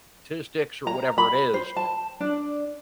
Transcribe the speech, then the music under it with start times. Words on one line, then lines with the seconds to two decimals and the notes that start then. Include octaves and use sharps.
statistics, or whatever it is,
0.87 A#5
1.18 B5
1.54 C5
1.77 A5
2.20 D4